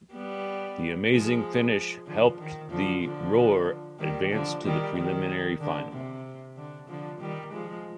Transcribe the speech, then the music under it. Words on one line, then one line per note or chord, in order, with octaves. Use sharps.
The amazing finish helped the Roar advance to the preliminary final.
G3 B3
F3 G#3
D3 F3
D#3
D3 F3
D3 F3
D#3 G3
D3 F3
D#3 G3
D#3
D3
C3
D3
D3 F3
D#3 G3
F3 G#3